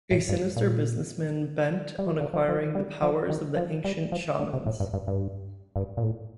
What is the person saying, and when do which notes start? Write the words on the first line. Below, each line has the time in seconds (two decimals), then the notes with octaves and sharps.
A sinister businessman bent on acquiring the power of the ancient shamans.
0.11 A2
0.29 G2
0.57 A#2
1.99 G3
2.07 F3
2.21 D3
2.33 F3
2.48 F3
2.75 G3
3.02 F3
3.30 D#3
3.56 F3
3.84 G3
4.12 F3
4.39 D3
4.53 C3
4.66 A2
4.80 G2
4.93 G2
5.07 G2
5.76 G2
5.97 A#2
6.03 A2